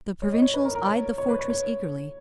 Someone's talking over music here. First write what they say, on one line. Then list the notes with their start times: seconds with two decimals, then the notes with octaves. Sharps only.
The Provincials eyed the fortress eagerly.
0.22 C#5
0.32 D#5
0.42 C#5
0.54 B4
0.65 A#4
0.75 A#4
0.86 C#5
1.18 C#5
1.29 B4
1.39 C#5
1.50 C#5